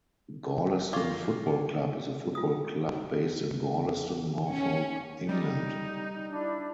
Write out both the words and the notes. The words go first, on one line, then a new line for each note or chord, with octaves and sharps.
Gorleston Football Club is a football club based in Gorleston, Norfolk, England.
A#3 F4 D5 C#6 D6
F4 D#6
C#4
G3 D#4
D4 E4